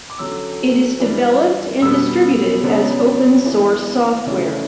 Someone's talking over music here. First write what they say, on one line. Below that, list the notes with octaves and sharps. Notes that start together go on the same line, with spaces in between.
It is developed and distributed as open-source software.
D6
D3 F#3 C#4 E6
E3 G3 D4
B2 G3 B3 E6
C#3 F#3 B3 D4
E3 B3 D4
C#3 E3 A3 D4